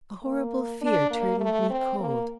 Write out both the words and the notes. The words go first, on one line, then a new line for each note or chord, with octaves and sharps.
A horrible fear turned me cold.
A#3
D4
A#3
A3
C4
A#3